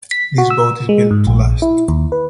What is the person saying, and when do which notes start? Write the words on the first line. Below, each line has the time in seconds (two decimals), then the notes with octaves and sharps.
This boat is built to last.
0.11 B6
0.38 F#4
0.50 E6
0.89 G#3
1.11 G#2
1.27 A#1
1.62 E4
1.88 D#2
2.12 B4